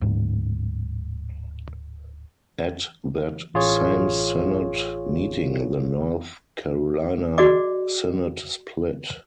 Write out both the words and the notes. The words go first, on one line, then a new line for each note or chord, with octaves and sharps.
At that same synod meeting the North Carolina Synod split.
D1 G#2
A1 F4 G#4 C#5
F#4 G#4 D5 D#5 D6